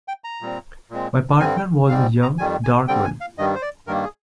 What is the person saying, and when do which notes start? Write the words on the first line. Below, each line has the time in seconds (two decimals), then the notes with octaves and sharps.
My partner was the young dark one.
0.08 G5
0.24 A#5
0.41 A#2 G3 C4
0.90 A#2 G#3 C4
1.40 G2 D3 G3 C4 G#5
1.57 G5
1.89 G#2 G3 C4 F5
2.22 A#5
2.38 F2 D#3 G3 G#5
2.64 G#5
2.88 D3 G3 C4 G5
3.05 G#5
3.21 F5
3.38 G2 D#3 G3 D#5
3.55 C5
3.62 D5
3.87 G2 D#3 G3 A#3 A#4
4.03 G#4